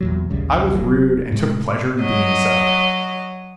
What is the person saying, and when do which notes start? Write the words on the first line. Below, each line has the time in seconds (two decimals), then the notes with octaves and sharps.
I was rude and took pleasure in being so.
0.01 E2 A#2 F#3
0.30 A#1 D#2 C#3 G3
0.75 D1 F#3
1.32 A2 C3 G3 G#3
2.01 F#3 D#5